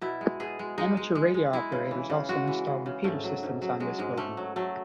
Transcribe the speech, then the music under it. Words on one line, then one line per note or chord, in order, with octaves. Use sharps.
Amateur radio operators also install repeater systems on this building.
B2 E4
G#3
B2 G#4
G#3
G#3 D#4
G#3
G#3
G#3
G#3 E4
C#3
E3
C#3
G#3 F#4
E3
C#3
C#3
G#2 A3
F#3
G#2
F#3
F#3 G#3
G#2 G#3
G#2 A3
F#3
F#3 A3